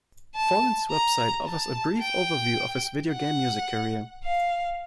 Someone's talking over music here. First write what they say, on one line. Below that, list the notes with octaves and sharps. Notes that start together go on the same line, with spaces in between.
Follin's website offers a brief overview of his video game music career.
A5
A#5
A5
G5
F#5
F5